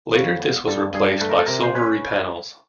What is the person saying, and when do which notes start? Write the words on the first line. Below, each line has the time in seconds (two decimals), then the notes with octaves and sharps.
Later this was replaced by silvery panels.
0.13 F2 C#5
0.40 B3
0.67 G2 A4
0.94 G2 G#4
1.21 A3 B4
1.29 A#4
1.39 A4
1.46 C3 A#4
1.63 C5
1.75 C#4 B4